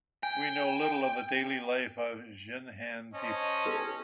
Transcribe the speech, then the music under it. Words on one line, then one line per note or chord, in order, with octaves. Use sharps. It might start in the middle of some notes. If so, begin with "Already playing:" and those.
We know little of the daily life of Jinhan people.
G5 G#5
C#4 C5 D#5 A5
B3 G4 A4